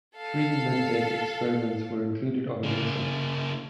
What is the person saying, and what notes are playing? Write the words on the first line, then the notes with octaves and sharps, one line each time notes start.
Three mid-deck experiments were included on the mission.
A4 F5
C#3 A#3